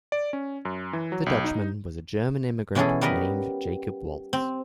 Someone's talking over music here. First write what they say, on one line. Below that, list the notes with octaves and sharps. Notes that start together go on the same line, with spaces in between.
The Dutchman was a German immigrant named Jacob Waltz.
D5
C#4
F#2
E3
F#3
B1
D#4
B2 E3 C#4 F#4 G#4 A4
G3 B3 A#4 B4 D#5
C4